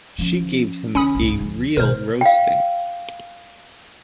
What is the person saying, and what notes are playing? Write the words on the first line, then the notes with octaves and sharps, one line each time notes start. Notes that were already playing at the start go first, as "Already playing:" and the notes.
She gave him a real roasting.
F3 C#4
D3 C#4 B5 D#6
G1 C2
D2 F3
B2 D#3 A#4 C5
F5 G5